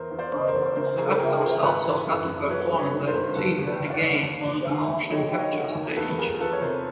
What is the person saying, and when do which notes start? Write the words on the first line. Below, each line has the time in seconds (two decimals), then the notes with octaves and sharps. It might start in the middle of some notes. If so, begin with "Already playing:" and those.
The actors also had to perform their scenes again on the motion capture stage.
Already playing: E2 A#4 C5
0.11 E2
0.19 C5 D5
0.34 C#3
0.47 A#4 C5
0.54 E2
0.76 C#3 A#4 C5
0.98 F3 G#4 A#4
1.19 C#2 G#4 A#4
1.41 C#2 G#4 A#4
1.63 G#1 A4 B4
1.85 E3
2.07 F#2
2.28 F#2
2.49 F#3 B4 C#5
2.72 G2
2.79 B4 C#5
2.94 D#3
3.07 A#4 C5
3.16 G2
3.36 D#2 A4 B4
3.58 D#2
3.66 A4 B4
3.80 D#2
3.90 D5
3.95 B4 C#5
4.02 D#2
4.23 D#2
4.45 D#2
4.67 D#2
4.88 D#2
5.10 F#3 C#5 D#5
5.32 D#3
5.39 C#5 D#5
5.53 D#3
5.75 D#2
5.96 E2 A4 B4
6.19 F3 G#4 A#4
6.40 E2 A4 B4
6.53 C#5
6.62 C3 A#4 C5